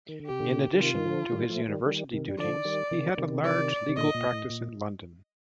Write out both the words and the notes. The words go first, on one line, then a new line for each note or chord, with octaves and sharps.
In addition to his university duties, he had a large legal practice in London.
D#3
D3
C3 G4
A#2 D3
D3
C3 D#3 F4
D#3
D3 F3
D#3 G3
F3 A3
D#3 G3
D#3 G3
C3 D#3
G3
D3 F3 D5
D#3 G3
C3 D#3
C3 D#3
D5
C3
A#2 D3 D#5
A#2
A2
A#2